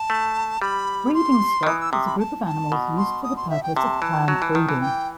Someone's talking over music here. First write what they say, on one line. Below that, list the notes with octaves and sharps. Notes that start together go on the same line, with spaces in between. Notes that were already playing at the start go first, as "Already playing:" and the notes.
Breeding stock is a group of animals used for the purpose of planned breeding.
Already playing: A5
A3
G3 B5
C6
D#3
E3 D#6
E6
C3 D#6
B5
A5
A5
B2
C6
D#6
C6
E5
G5
C3 A5
E3
F#3
E3
D#3
E3
G5